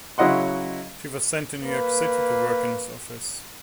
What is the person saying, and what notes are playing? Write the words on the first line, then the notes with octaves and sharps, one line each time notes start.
She was sent to New York City to work in his office.
C#3 F#3 E4 D#5 F#5 C6
A#3 B4